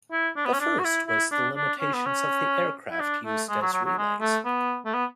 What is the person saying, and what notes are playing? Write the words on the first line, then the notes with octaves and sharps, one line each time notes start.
The first was the limitations of the aircraft used as relays.
E4
D4
B3
C#4
D4
F#4
E4
E4
D4
D4
C#4
B3
C#4
E4
D4
A3
G#3
F#3
F#3
F#3
G#3
A3
B3
A3
B3